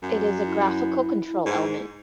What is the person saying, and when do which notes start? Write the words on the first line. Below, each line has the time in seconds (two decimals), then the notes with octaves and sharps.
It is a graphical control element.
0.02 F#2
0.46 E4
1.46 G#2